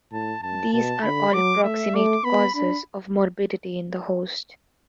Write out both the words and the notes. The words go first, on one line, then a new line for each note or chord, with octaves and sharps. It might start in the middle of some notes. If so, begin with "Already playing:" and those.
These are all proximate causes of morbidity in the host.
A2 A5
F#2 A5
B2 A5
D3 B5
F#3 D6
A3 E5
A3 D6
B3 B5
D4 B5